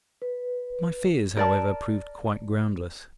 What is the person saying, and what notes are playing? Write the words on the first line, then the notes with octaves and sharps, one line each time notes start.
My fears, however, proved quite groundless.
B4
A#4 D5 A5